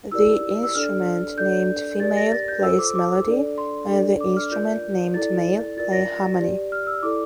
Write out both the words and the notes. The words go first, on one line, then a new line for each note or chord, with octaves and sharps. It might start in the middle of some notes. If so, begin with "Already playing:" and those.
The instrument named female plays melody and the instrument named male play harmony.
E4 G4 A#4 D5 E6
E6
D4 A4 D5 F6
D4 A4 D5 G6
G4 A#4 D5 A6
A#6
A6
G6
F4 A4 C5 E6
D6
D6
D4 A4 D5
C6
D4 A4 D5
D6
F6
F4 A#4 D5 G6
E4 A4 D5 A6
F4 A#4 D5 A6
A#6
G4 D5
F6
E6
E4 A4 D5 D6